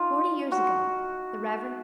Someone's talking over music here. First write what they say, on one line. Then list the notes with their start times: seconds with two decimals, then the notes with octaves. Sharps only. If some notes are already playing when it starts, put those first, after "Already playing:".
Forty years ago, the Rev.
Already playing: D#4 F4
0.52 F#4